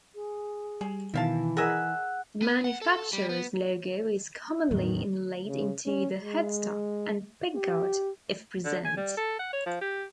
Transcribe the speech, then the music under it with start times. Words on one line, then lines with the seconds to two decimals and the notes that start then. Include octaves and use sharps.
The manufacturer's logo is commonly inlaid into the headstock and pickguard, if present.
0.15 G#4
0.81 G3 G#4
1.14 B2 D#3 E3 E5 F5 A5
1.57 G#4 A#4 D#5 F#5 G#5 E6 B6
2.42 B3
2.64 F#5
2.81 A4
3.13 G3
3.29 B3
4.71 E2 A2 D#3 F#3
5.48 C#3
5.86 C#4
6.20 G#3
7.56 G4
8.65 D3
8.85 G#5
8.97 G3
9.17 A4
9.39 F#5
9.53 C#5
9.66 F3
9.81 G4